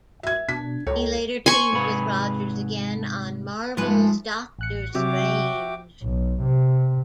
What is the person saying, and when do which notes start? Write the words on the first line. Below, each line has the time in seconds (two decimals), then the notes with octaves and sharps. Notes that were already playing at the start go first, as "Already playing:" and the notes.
He later teamed with Rogers again on Marvel's "Doctor Strange".
0.23 E5 G#6
0.49 B2 D4 B6
0.87 C#2 A4 C#5 G5 A#5
1.46 C5 G#5 C#6
1.73 G#2 C3 B4
3.77 G#2 F3 G#3 A3 B4
4.59 A1 F#6 C#7
4.95 C3 F#3 F#4 G4 E5 D6
6.02 B1
6.41 C3